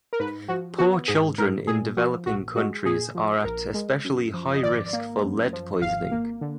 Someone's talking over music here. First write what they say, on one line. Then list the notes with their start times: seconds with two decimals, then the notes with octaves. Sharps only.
Poor children in developing countries are at especially high risk for lead poisoning.
0.13 A#4
0.20 G#2 B4
0.48 F3 F#4
0.78 B3 F#4
1.08 G#2 G#4
1.38 G#2 A#4
1.67 A#2 G#4
1.97 F3 F#4
2.26 A#1 F#4
2.56 G#3 F#4
2.86 A#2 G#4
3.15 F3
3.45 A#1 A#4
3.74 G#3
4.04 F#2
4.34 F3
4.53 D#5
4.63 G#1 D5
4.93 A#3
5.23 F#2
5.53 F3
5.82 G#1 F5
6.11 A#3
6.41 D3